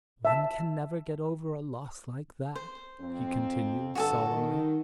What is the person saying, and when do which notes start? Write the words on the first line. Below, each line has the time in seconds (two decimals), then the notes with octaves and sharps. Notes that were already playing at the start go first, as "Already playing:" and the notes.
"One can never get over a loss like that," he continued solemnly.
0.25 E5 A5
2.56 C5
3.01 F2 C4
3.95 G2 D3 F#4 G#4 A4
4.31 D#3